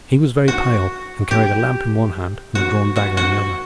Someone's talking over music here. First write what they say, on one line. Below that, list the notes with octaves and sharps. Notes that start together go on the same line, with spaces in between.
He was very pale, and carried a lamp in one hand and a drawn dagger in the other.
F#4
G4
F#4
F#4
F#4